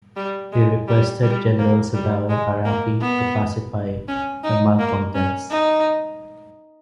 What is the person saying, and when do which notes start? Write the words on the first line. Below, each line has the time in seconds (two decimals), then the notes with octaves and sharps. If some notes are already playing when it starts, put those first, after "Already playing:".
He requested General Sadao Araki to pacify the malcontents.
0.16 G3
0.52 G#3
0.88 G3
1.23 G3
1.59 A#3
1.94 G3
2.29 G#3
2.65 A#3
3.01 B3
4.08 C#4
4.44 D#4
4.79 A#3
5.15 C#4
5.50 D#4